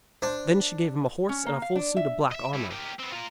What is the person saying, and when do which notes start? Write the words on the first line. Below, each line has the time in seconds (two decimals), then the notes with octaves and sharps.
Then she gave him a horse and a full suit of black armour.
0.22 D4 C5
1.29 C#4
1.46 A#3
1.62 F5
1.75 D4
1.97 E5
2.32 D#5 E5
2.54 G3 E4
2.72 G4 A#4
3.00 B3 C4
3.13 F4 A#4